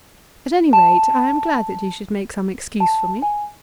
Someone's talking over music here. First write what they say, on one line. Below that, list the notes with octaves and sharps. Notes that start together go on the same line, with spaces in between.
At any rate, I am glad that you should make some excuse for me.
A5
A5
G#5